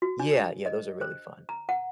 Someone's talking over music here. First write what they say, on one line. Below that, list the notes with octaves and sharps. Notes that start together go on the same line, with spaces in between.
Yeah, yeah, those are really fun.
F#4
D4
D#5
C5
A#5
F#5